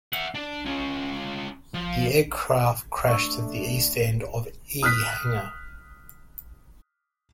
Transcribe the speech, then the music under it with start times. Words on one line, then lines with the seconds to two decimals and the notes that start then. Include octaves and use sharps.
The aircraft crashed at the east end of E Hangar.
0.13 E5 F#5
0.35 D4
0.65 C#4 F4
1.74 F3
3.08 A3 D4 C#6 E6
4.83 D#6 F6 F#6 B6